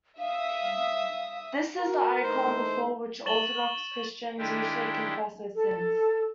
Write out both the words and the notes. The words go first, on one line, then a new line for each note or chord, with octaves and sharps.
This is the icon before which Orthodox Christians usually confess their sins.
E5 F5 D#6
F#4 A#4
E3 A3 D#4 C5
C#6 A6 E7 F#7 G7
D#3 G#3 D4 E4 G4
A4